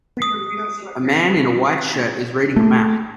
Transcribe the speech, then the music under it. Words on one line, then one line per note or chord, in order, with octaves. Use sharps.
A man in a white shirt is reading a map.
D#6
A3